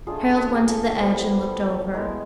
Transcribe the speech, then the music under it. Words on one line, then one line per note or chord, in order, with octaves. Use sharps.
Harald went to the edge and looked over.
A3 D4 F4 G#4
G#4
A4
C#5
G3 B3 E4 C5
G#3 B3 E4 A#4